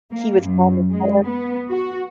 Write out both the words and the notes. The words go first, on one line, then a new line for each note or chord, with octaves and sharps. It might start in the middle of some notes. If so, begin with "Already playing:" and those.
he would fall on the floor.
A#3
F#2
G#3
B3
F#4